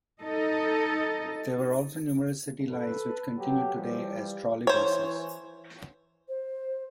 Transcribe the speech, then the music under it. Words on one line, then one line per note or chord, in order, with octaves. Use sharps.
There were also numerous city lines, which continue today as trolleybuses.
D#4 A4 D#5
A4 B4
F#3 A3 G4
E3 F3 G3
E3 C5 C#5
C5